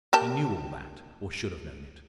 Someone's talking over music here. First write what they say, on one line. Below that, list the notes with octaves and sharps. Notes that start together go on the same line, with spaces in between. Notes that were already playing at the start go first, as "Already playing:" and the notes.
He knew all that, or should have known it.
A#3 G4 A5